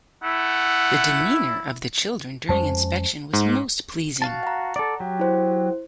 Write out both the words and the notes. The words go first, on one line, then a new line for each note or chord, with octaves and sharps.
The demeanor of the children during inspection was most pleasing.
A3 E4 F#5
F2 G#3 C#4 C5 A5
G#2
F#4 F5 A5
F#5 A#5
A4 D5
F#3 G4
E4 C5